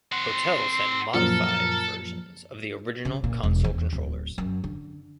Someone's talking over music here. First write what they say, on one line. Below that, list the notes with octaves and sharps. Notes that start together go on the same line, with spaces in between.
Hotels had modified versions of the original console controllers.
C4 F#5 C6
F#2 A#2 F3 A4 A#4
C#3
A#2
E1
E2
D1
F#2
D3